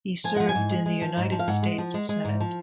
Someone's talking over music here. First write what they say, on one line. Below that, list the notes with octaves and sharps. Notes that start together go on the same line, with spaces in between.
He served in the United States Senate.
F3 G#5
F3 F#5
G#5
G#2
G#3
G#3
F3
G#2
F3
F5
G#2 F#5
G#3
F3
G#3
G#3
G#2
F3